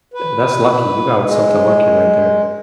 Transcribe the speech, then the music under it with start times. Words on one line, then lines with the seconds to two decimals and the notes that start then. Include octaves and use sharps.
tha that's lucky. You got something lucky right there.
0.14 B4
1.23 G#3